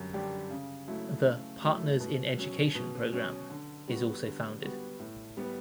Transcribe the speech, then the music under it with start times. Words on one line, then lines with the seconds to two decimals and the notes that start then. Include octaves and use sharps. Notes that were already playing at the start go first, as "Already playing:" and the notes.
The "Partners in Education" program is also founded.
Already playing: F#2 D3 G3
0.13 D3 G3 D4 G4
0.50 C#3
0.88 F#3 A3 E4
1.25 C#3
1.63 F#3 A3 E4
2.00 B2
2.37 F#3 C#4
2.75 B2
3.12 F#3 C#4
3.50 D3
3.88 G3 B3 F#4
4.25 D3
4.62 G3 B3 F#4
4.99 A2
5.37 G3 B3